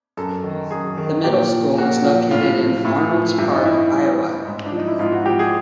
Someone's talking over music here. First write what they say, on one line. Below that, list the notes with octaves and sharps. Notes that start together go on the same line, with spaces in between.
The middle school is located in Arnolds Park, Iowa.
F#2 A4
D#3
F#2 G#4
D#3
A#2 G4
F3
A#2 F#4
F3
A2 F4
F3
A2 E4
F3
G2 E4
D#4
E3 E4
G2
E3
G#2
D4
F3
D#4
E4
G#2 F4
F#4
F3 G4
G#4